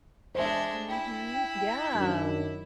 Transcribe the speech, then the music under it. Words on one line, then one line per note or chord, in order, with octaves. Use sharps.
Mhm, yeah.
G#3 D4 C5 E5
E4 G5
F#2 D#3 D4